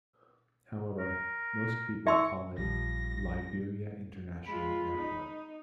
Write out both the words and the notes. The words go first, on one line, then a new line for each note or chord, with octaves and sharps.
However, most people call it "Liberia International Airport".
A#4
E5 C6 C#6 E6
A#1 F3 G3 A#6
G#3 F4 B5
D#4